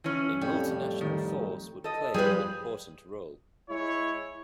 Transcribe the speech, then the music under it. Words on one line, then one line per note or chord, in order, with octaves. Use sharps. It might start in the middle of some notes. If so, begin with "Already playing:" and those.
A Multinational Force would play an important role.
E3 C#4
F2 A2 G3
D#3
A4 D#5
F3 G3 G#4 A4 B4
G#3 E4 C#5